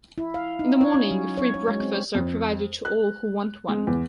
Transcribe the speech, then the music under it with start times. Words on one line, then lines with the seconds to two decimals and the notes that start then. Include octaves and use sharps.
In the morning, free breakfasts are provided to all who want one.
0.18 E4
0.34 F5
0.59 D#4
0.81 C#5
0.94 C#4
1.11 F#3
1.37 C#5
1.54 C#5
1.68 G#3
1.80 C4
2.15 F2
2.85 F#6
3.68 G#3
3.87 E2